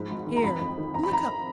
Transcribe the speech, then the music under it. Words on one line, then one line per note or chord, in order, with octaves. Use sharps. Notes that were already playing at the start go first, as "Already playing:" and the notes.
Here, look up.
Already playing: G#2 F3 B5
G#1
D#3
A#5
F2 B5
F2
D#3
F2 A#5
B5
F2 A#5